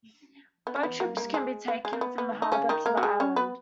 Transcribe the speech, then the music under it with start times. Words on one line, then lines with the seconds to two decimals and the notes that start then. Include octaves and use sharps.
Boat trips can be taken from the harbour to the island.
0.67 B3
0.76 C#4
0.83 B3
1.00 A#3
1.17 A#3
1.34 G#3
1.68 B3
1.85 G#3
1.93 A#3
2.01 B3
2.18 B3
2.42 D#4
2.52 C#3 C#4
2.69 D#3 D#4
2.86 A#3 A#4
2.97 F#4
3.03 G#3 G#4
3.20 C#4 C#5
3.36 B3 B4